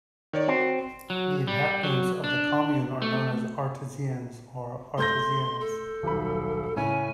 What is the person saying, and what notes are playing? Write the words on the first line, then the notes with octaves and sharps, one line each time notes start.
The inhabitants of the commune are known as "Artisiens" or "Artisiennes".
D#3 C#5 D5
C4 F#4
F#3
G3
F#3
D4
A3
A3 C6 G6 A#6
A4
D#1 B1 B5
A2 C#3 C#4 G#5